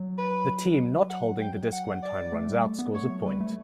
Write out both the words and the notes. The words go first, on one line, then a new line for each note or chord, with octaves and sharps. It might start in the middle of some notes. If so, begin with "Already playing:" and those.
The team not holding the disc when time runs out scores a point.
Already playing: F#3
B4
F#5
G5
F#5
D5
A3
G3
A3
B3
A3 C#5
F#3
G3 B4
A3